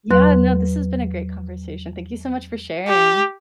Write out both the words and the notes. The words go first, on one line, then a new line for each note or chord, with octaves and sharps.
yeah, no, this has been a great conversation, thank you so much for sharing.
E2 F#3 B4 C6 F#6
G4